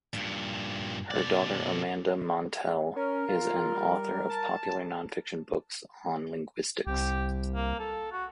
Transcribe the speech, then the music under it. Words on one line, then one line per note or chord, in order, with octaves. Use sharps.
Her daughter Amanda Montell is an author of popular nonfiction books on linguistics.
G2 A#2
B2 D5
C#4 A#4
F4
G3
A5
C2 G4
A#3
A4
F#4